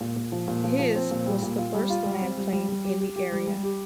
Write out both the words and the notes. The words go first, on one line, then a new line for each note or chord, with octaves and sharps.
His was the first land claim in the area.
A#2
A#2
F3
A#2
F3
F3
C4
A#2
G3
A#2
F4
G3
F4
G3
C4
G3
G3
G3
G4
G4
G4
G3
G3
G4